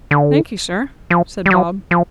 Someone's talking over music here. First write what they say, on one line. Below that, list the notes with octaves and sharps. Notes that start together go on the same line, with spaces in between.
'Thankee sir,' said Bob.
D3
F3
G3
F#3
F3